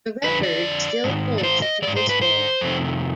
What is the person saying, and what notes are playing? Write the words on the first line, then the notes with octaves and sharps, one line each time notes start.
The record still holds to this day.
F2 D3 B4
D5
G#2 D#3
D5
C5
D#5
D#3 D5
G#2
C5
B4
C5
F2 C3 D#3